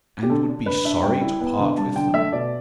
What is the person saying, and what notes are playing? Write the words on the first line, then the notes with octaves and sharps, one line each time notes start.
"And would be sorry to part with them?"
G4
D3 A4
D4
D3 B4
D4 E5
G3 G5
E4
B3
D3
G3 A5
D3 G5
A3 E5
B2 D5